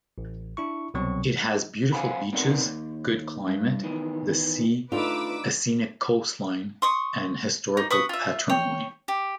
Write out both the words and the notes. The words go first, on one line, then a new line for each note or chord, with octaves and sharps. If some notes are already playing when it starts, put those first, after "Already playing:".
It has beautiful beaches, good climate, the sea, a scenic coastline, and historical patrimony.
A1
D4 E4 C#6
C2 B2 F#3 C4 C#6
C5 F5 F#5 G#5 B5
B3 C4 D#4 A#4 D5 F#5
D#2
G2
D#3 E3 B3
A3 D4 D#4 F4 B4 D5 D6 E6
C6 C#6 D#6
D#4
B4 C#6 D#6
F4 E5
C#5 G5
G4